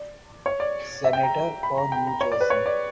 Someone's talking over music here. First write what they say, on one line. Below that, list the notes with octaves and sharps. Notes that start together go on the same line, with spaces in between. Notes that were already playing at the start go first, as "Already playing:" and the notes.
Senator for New Jersey.
Already playing: D5
C#5
D5
E5
G5
A#5
B5
A#5
G5
A#5
C#5
D5
B4
C#5
D5